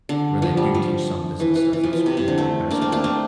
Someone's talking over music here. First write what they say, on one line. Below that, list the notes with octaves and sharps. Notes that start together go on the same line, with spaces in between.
where they do teach some business stuff in s in, like, high school.
D3
F3
G3
F3
E3
E3
E3
F3
E3
C3
C3
D3
A3 C4
A#3 D4
A3 C4
A#3 D4
A3 C4